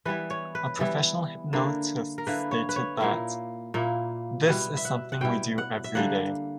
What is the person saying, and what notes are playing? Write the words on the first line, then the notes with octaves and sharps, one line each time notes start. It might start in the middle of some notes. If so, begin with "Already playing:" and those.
A professional hypnotist stated that "This is something we do every day".
E3 G3 B3 E4 B4
C#5
B4
E3 G3 B3 E4
D3 A#3 E4
A#4
D3 A#3 E4 B4
C#5
B4
C#5
A#2 A#3 E4
A#2 A#3 E4
B2 G3 B3 E4 F#5
E5
F#5
F#5
B2 G3 B3 E4 G5
F#5
E5
D3 G3 A#3 F#5